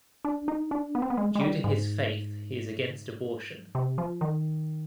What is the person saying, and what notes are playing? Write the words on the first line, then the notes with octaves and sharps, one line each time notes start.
Due to his faith he is against abortion.
D4
D#4
D4
B3
C4
B3
G#3
G#3
G3
G#2
C3
F3
D#3